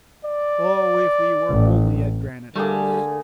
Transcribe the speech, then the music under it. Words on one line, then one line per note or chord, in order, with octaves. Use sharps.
"Oh, if we were only at Granite House!"
D5
A1
D3 G3 A3 A#3 G#4